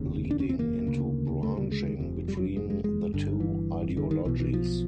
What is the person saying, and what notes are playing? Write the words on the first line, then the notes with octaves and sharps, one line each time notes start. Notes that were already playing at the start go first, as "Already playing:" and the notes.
Leading into branching between the two ideologies.
Already playing: F1 D#2 C#3
D4
C#4
C4
A#3
D2 C#3
A3
G3
G#3
F1 F2 C3
G3
F#3
G#3
G#3
G#3
G1 G2 D3
E3
D3
D#3
B1 B2 E3
E3
F3